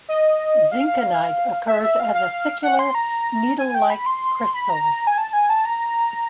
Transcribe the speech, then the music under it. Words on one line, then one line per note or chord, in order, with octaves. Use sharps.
Zinkenite occurs as acicular needle-like crystals.
D#5
F5
F5
E5
E5
F5
F5
F#5
C6
A#5
G#5
G5
B5
C6
B5
A#5
G#5
A5
G#5
A5
A#5